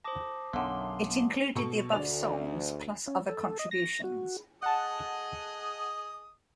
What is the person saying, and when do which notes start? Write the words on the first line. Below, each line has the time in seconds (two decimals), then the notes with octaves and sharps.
It included the above songs, plus other contributions.
0.04 C5 A5 D6 D#6 A#6
0.53 B1 F#2 D3 B3 F5 C6
1.55 B2 A4 C#6
1.92 D2 D3 D5 F7
3.07 C#4
3.29 A4
3.59 D#5
3.71 A#6
4.04 F#4
4.63 G#4 D#5 F#5 A5 D#6